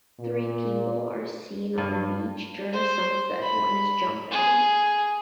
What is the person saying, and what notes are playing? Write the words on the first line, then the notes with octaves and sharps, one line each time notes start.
Three people are seen on a beach during sunset, one is jumping.
A#2
G2
C5
B5
G#4